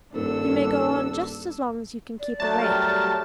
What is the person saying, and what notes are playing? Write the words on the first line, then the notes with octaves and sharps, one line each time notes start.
You may go on just as long as you can keep awake.
D#1 G2 D4 A4 E6
D5
F#3 A3 D4 A5
G3 G4 A#4